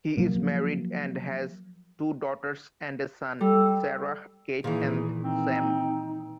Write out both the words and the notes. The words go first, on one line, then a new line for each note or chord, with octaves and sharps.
He is married and has two daughters and a son, Sarah, Kate and Sam.
F3 F#3 A#3
G3 A4
A#2 D#3 E3 G#4
C4 D#4